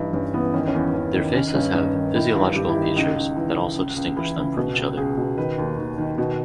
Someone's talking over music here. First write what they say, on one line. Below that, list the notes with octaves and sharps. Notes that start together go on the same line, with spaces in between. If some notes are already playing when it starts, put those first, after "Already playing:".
Their faces have physiological features that also distinguish them from each other.
Already playing: G2 E3 D#4
G2 C#4
E3 B3
D#3 C#4
C#4
E2
E2 C#4
D#3
D#3 C#4
D#4
G2 C#4
G2 D#4
D#3
D#3 E4
G2
G2 G4
E4
D#3
D#4
C#2 D#4
C#2
E3
C#3
C#2
C#2
E3 E4
C#3
B2
C#2
C#2 G#4
B2
D#3 B4
D#2
D#2
D#3
B2